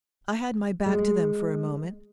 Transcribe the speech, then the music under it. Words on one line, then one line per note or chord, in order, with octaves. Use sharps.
I had my back to them for a moment.
G#3